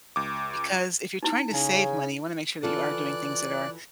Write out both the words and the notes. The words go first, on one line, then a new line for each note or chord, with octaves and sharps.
because if you're trying to save money, you wanna make sure that you are doing things that are
C#2 D6
D#4 E4
C#3 G#5
E3 F4 A4 D5 F#6